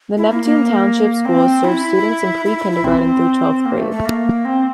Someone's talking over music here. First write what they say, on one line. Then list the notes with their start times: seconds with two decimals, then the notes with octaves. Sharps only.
The Neptune Township Schools serve students in pre-kindergarten through twelfth grade.
0.17 E4
0.31 A#3
0.44 A#3
1.25 C4
1.64 E4
2.45 E4
2.58 E4
2.71 E4
2.84 C4
3.65 A#3
3.78 A3
3.91 A3
4.05 A#3
4.45 C4